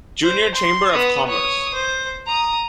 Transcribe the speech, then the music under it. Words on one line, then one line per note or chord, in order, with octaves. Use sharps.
Junior Chamber of Commerce.
C5
C6
B3 D#6
C#5 D#6
C5
A#5 D#6